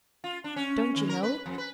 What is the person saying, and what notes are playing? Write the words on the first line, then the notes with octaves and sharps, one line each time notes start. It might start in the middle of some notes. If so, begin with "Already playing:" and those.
Don't you know?
F4
D4
C#4
C#4
D#3
A#4
B4
F2
B4